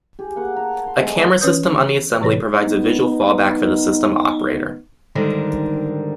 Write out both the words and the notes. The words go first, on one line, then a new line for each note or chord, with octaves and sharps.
A camera system on the assembly provides a visual fallback for the system operator.
G4 G#4
A#3 F#5 C#6
A5 A#5
C6
G#3 A3 D#5
D3 B3 B4
E3 C#4 B4 C#5 D#6 G6
A2 C3 E3 B4 C#5 A#6
B3 D#4
G#2 D3 D#3 G3 A#4